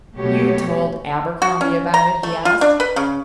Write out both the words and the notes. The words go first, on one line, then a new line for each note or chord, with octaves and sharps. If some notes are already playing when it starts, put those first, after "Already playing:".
"You told Abercrombie about it?" he asked.
B2 F#3 A3 G4 C#5
F#4
C#4
A#5
A3
F4
D4
B4
C#3